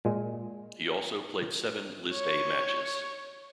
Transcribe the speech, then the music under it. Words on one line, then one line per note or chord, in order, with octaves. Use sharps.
He also played seven List A matches.
A#2 G#3
C#5